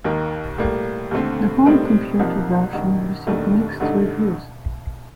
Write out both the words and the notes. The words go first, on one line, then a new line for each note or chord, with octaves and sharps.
The home computer versions received mixed reviews.
D#2 D#3 A#3
A2 G3 A#3
D#2 D3 A3 C4
A2 G3 C4 D#4 A#4
C2 C3 F3 A#3 D#4
A1 G2 D#3
F1 D#2 D#3 A3 D4
A1 G2 D3 A3 D#4